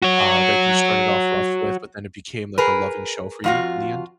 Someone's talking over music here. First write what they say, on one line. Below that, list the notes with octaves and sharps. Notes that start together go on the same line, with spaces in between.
uh, that you started off rough with, but then it became, like, a loving show for you in the end?
F#4 C#5
G#4 A#4 B4
F2 F4 F#4